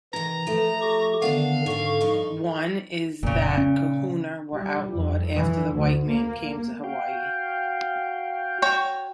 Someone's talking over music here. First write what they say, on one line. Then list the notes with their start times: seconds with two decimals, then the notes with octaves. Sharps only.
One is that kahuna were outlawed after the white man came to Hawaii.
0.13 C3 D#3 E3 A#5
0.47 F3 A3
0.81 G4 C#6
1.22 D3 D#3 B3 C4 D4 F#4 F5
1.66 G#2 D3 C4 C#6
2.01 G2 F3 D#4
3.23 F1 A#2 C#3
3.58 C#4
4.53 G3
4.95 F2
5.35 E3
5.74 D2
6.09 A#3
6.84 F#4 F5 G5
8.62 F#4 C#5 G5